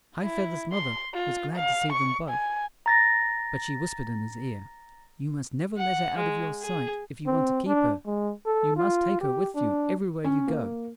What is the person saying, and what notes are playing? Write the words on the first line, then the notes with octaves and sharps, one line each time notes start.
High-feather's mother was glad to see them both; but she whispered in his ear: "You must never let her out of your sight if you want to keep her; you must take her with you everywhere you go."
E4
C6
F4
F5
C#6
G#5
A#5 A6 A#6
F#5
G#3
G#4
C4
D4
G#3
A4
F4
G4
D4
C#4
A#3